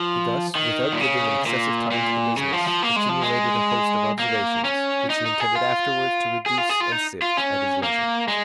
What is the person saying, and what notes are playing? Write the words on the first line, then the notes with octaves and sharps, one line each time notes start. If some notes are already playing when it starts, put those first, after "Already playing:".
He thus, without giving an excessive time to the business, accumulated a host of observations, which he intended afterwards to reduce and sift at his leisure.
Already playing: F3
D#3
A#2
C#3
A#2
A#2
C#3
F3
F3
A#3
G#3
F3
G#3
A#3
C#4
D#4
D#4
G#4
F4
G#4
F4
G#4
F4
D#4
F4
C#4
A#3
G#3